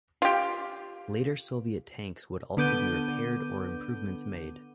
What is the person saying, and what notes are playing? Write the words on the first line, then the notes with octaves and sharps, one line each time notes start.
Later Soviet tanks would also be repaired or improvements made.
F4 G4
D3 B3 D6 G6 D#7